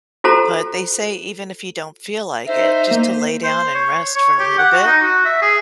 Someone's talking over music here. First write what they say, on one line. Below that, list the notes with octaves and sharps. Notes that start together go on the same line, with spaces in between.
But they say even if you don't feel like it, just to lay down and rest for a little bit,
F4 F#4 A4 C5 A#5
D#4 C5 E5
A#3
C5
C#5
C#5
G4
F#5
F#4
D#4
F#4
E5
G#4